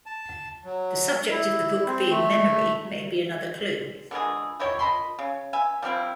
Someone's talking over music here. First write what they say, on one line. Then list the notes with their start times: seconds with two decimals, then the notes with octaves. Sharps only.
The subject of the book being memory may be another clue.
0.06 A5
0.65 F#3
1.31 E4
1.87 C4
2.10 A3
4.11 D3 E3 G#3 G#4
4.59 D#4 E4 G4 C#5
4.79 D#5 A5 B5 C6
5.19 C#3
5.53 B4 E5 G#5
5.82 F3 G3 C4 E4